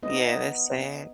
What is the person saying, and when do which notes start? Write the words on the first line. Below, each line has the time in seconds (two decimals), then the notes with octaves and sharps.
Yeah, that's sad.
0.03 B3 D#4 D#5